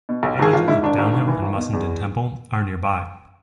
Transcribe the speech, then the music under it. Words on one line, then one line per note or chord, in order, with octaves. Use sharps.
The villages of Downhill and Mussenden Temple are nearby.
B2
B1
G#1 G#4
G#1 F4
G#2 E4
G#1 D4
G#1
G#1
E3
G#1
B2
E2